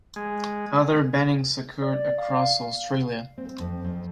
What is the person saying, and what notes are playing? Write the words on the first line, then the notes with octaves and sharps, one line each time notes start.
Other bannings occurred across Australia.
G#3
D5
F5
C4
F2
F2